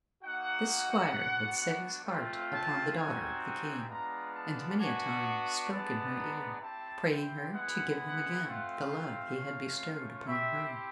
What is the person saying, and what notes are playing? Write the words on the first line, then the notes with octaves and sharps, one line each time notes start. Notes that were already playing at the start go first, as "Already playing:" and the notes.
This squire had set his heart upon the daughter of the King, and many a time spoke in her ear, praying her to give him again the love he had bestowed upon her.
A#3 D#4 F#4 F#5
B3 D4 F#4
A3 C4 F4
A5
G3 C4 D#4 F#4 G#5
G#5
G#3 B3 D4 F4 A#5
A5
B3 D4 F#4 G#5
G#3 B3 D4 A5
A#5
C4 E4 G4 A5
G5
G#3 B3 E4 F#5
A3 C4 F4
F5
A3 C#4 F4
C4 E4 G4 E5